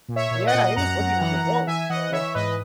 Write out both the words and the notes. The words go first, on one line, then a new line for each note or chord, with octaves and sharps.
Yeah, he was living on the boat, so.
A#2
C#5 E5
A#2
D#5 F#5
A#2
F#2 F#5 A#5
F#2
E3
E3
E3 E5 G#5
E3 D#5 F#5
E3 C#5 E5
G#2 B4 D#5